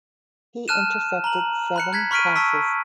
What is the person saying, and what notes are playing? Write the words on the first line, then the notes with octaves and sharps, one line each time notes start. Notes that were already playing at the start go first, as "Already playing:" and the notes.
He intercepted seven passes.
A5 F6 F#6 D#7 E7
A#5 F#7
B5 F#6 C#7
F#6 G#6 B6
B5 C#6 F6 B6 D7 D#7
A5 C#6 E6 B6